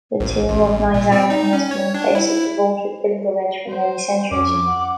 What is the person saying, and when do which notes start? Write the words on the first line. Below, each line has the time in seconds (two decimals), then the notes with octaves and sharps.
The tomb of Nizami has been a place of devoted pilgrimage for many centuries.
0.20 A1
0.49 A1
0.94 A#2
1.12 C4
1.30 D#4
1.53 C#4
1.71 C#5
1.94 D4
2.15 E4
3.69 C5
4.31 F2 C#4 D6
4.66 F#5